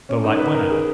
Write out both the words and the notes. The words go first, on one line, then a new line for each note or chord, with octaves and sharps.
The light went out.
C#4
D#4
B4
A#4
G#4